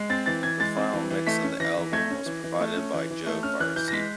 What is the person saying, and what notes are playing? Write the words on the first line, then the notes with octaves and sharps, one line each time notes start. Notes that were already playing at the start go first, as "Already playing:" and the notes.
The final mix of the album was provided by Joe Barresi.
Already playing: G#3
C4 A6
E3 A6
E3 G#6
G#3 A6
C4
E3
E3
A3 B6
C#4
E3 A#6
E3
A3 G#6
C#4
E3
E3
A3
C#4
E3
E3
A3
C#4 F6
E3 F#6
E3 G6
A#6
G#3 B6